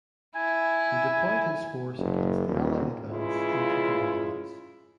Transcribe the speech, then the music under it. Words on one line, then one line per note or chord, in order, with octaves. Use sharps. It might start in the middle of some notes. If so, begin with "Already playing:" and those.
He deployed his force against the Allied advance into the Netherlands.
E4 G#5
F#1
D#1
C#3 E3 G#3 E4 F4